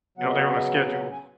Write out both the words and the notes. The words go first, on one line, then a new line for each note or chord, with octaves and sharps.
you know, they're on a schedule.
C#3 F#3 B3 F#5
D#5
F5
C#5
D#5
F5
F#5
G#5